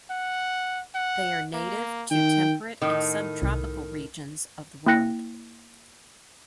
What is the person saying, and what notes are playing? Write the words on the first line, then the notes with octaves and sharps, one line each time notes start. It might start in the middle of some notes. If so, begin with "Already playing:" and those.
They are native to temperate and subtropical regions of the world.
F#5
F#5
A#3
D#3 G5
A2 D#3
C2
A#3 E4 G5 F#6 A#6 C#7